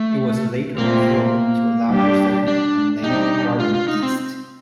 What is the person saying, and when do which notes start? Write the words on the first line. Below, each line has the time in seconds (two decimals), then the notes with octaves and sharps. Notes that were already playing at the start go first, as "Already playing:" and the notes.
It was later absorbed into a larger settlement and named Garden East.
Already playing: A3
0.78 A#2 A3 A#3 C4
1.91 G3 D4 G4
2.48 D4
3.04 C3 G3 D4 D#4 G4
3.60 F4
3.74 F4
3.88 D#4
4.03 C4